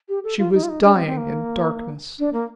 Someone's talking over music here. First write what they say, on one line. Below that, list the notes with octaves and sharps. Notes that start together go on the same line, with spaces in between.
She was dying in darkness.
G4
A4
F4
D#4
F4
D#4
D4
C4
C4
A#3
D4
A#3